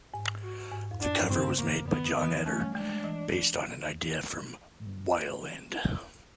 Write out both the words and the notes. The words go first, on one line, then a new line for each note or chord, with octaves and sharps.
The cover was made by John Eder, based on an idea from Weiland.
G#2
F#4
G#2
F2
F#2 D4
G2
C#3 C4
C#3 A#3
D#3 B3
E3 B3
F3
A3 C#4
G3
G#3 D4
G#3
E3